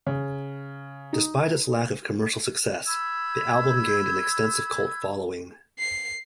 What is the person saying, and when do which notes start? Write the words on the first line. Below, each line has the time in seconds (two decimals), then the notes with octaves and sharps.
Despite its lack of commercial success, the album gained an extensive cult following.
0.06 C#3
1.13 D#4
2.86 B5 E6 G6 G#6
5.79 C7